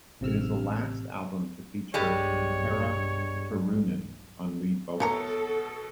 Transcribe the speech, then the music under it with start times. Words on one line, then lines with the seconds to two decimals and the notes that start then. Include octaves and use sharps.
It is the last album to feature Tarja Turunen on lead vocals.
0.21 A1 C3 E6 F6
1.94 B1 G2 G3 G#3 C#5
5.00 B2 E3 A4 A#4 C#5 A#5 C#7